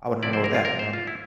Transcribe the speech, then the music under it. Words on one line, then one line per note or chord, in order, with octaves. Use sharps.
I wanna know that, you know, and
C3 F3 C4 E4 D5
C5
A#4
F4
A#4
C5
F4
E4